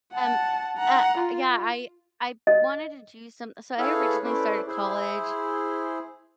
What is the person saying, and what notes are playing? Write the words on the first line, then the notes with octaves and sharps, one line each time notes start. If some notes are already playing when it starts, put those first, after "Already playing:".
Um, y uh, yeah, I I wanted to do some so I originally started college,
F#5 A5
F#5 A#5
F4
D#5
E4 G#4 A4 B4 C#5 F5
A3 C#4 E4 B4 C5 D5
E4 G#4 C5